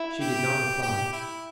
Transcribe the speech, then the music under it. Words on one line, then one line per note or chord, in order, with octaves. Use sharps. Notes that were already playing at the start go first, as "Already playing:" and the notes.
She did not reply.
Already playing: E4
G4
G4
E4